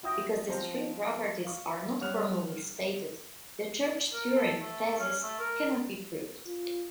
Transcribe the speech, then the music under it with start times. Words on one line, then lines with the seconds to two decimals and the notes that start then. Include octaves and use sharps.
Because these three properties are not formally stated, the Church-Turing thesis cannot be proved.
0.03 E4 F#4 G5 D#6 A#6
0.48 F3 C4 C5 A#5
1.17 G#3
1.44 F5 C#6
2.01 G3 C#5 F#5 F6 F7
4.13 A#4
4.34 A4
4.60 A3
4.99 C#4
5.23 A3
5.39 A#4
6.46 F4